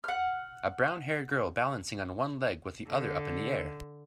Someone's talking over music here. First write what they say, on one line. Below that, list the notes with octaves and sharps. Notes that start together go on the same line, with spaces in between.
A brownhaired girl balancing on one leg with the other up in the air.
F#5 F6
D3